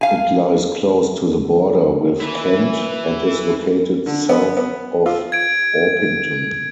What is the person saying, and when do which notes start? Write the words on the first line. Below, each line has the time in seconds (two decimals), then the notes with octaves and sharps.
It lies close to the border with Kent, and is located south of Orpington.
0.01 F5 G#5
2.20 E4 B4
4.06 D3
4.29 B3
4.57 B3
5.06 F4
5.32 G#6 D7